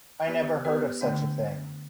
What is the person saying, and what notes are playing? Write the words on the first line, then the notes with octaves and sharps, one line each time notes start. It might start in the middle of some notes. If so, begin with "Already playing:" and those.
I never heard of such a thing.
B3 G4 B4 D5
B3 G4 B4 D5
D3 A3 D4